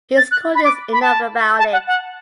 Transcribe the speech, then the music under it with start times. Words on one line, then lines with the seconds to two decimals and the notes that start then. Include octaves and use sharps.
He's courteous enough about it.
0.17 A6
0.31 F#6
0.55 B5
0.64 D6
0.93 B5
1.02 A5
1.59 A5
1.73 F#5
1.87 F#5